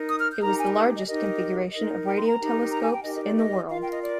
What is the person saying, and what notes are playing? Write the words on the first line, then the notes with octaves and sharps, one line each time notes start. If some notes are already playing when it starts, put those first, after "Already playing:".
It was the largest configuration of radio telescopes in the world.
Already playing: D#4 A#4
D#6
F6
G6
D#4 G4 A#4 A#5
G#5
D#5
D#5
D#4 G4 A#4 D#5
D#4 A#4 D#5
G5
C6
A#5
D#4 G4 A#4
A#5
G#5
G5
D#4 G4 A#4 D#5
D#5
D5
D#5
F4 A#4 F5
G5
D#5
D5